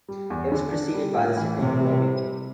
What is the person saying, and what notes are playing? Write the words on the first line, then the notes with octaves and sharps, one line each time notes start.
It was preceded by the Supreme Soviet.
G3
E2
D3
D4
G3
A2
E3
A2 C3
G3